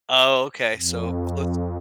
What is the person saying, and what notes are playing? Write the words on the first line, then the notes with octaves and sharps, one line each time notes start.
Oh, okay. So, close.
F2